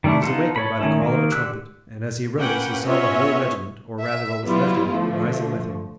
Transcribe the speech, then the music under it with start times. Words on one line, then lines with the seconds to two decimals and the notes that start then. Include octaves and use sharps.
He was awakened by the call of a trumpet, and, as he rose, he saw the whole regiment or rather, what was left of it, rising with him.
0.04 D#3 G3 A3 D4 E4
0.23 B3 D#4 F4 A4
0.56 A4 C#5 B5
0.81 D#3 G3 A3 C#4 E4
1.02 D#3 A#3
1.32 D3 G4 E6 F#6
2.39 A#3 C#4 B4 F#5 G5
2.84 B3 C#4 F4 C#5 D#5 E5
4.01 E5
4.43 E3 F#3 G3 B3 E4 F4
4.91 D3 F3 A3